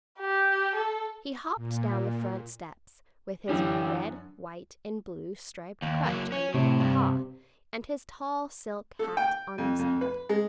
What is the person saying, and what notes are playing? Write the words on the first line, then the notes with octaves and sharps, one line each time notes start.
He hopped down the front steps, with his red, white and blue striped crutch under one paw, and his tall, silk hat on his head.
G4
A4
A#2
F#2 D3 E3 C#4 G4
D#2
F#3 A#3
C#4
A2 C3
G2
A4
G5
F2
F2
B4
G#3